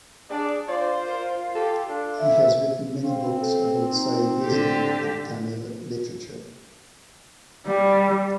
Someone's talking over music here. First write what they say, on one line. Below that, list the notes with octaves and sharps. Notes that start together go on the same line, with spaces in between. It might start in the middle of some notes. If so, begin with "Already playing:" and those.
He has written many books about Saivism and Tamil Literature.
D4 G#4 D5
F4 C5 D5
A#4
G4 A4
D4 A4
E5
C4 F5
A4
D#4
D3 G4 A4
G3